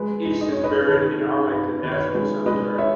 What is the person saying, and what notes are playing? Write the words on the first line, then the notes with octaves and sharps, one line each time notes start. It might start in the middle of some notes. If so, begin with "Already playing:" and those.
East is buried in Arlington National Cemetery.
Already playing: G#3 B4
D#4
D#5
D#4 C#5
B4 D#5
D#3 A4 C#5
D#4
D#4 B4
D#3 B4
C#5
B4
G#3 B4
G#3 B4 D#5
D#4 C#5 E5